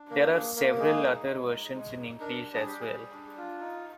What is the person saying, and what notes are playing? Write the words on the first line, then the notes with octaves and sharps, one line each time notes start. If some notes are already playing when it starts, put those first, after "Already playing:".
There are several other versions in English as well.
Already playing: D4
A#3 A#4
A#3 G#4
A#3 A#4
A#4
G#3 G#4
D#4
G#3
D#4
G#3
D#4
D4 A#4
G3
G#4
G3 G4
G#4
G3
D4
F4
D#4